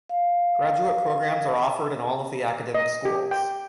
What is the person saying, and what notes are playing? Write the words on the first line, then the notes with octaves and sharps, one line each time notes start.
Graduate programs are offered in all of the academic schools.
F5
D#5
G4
G5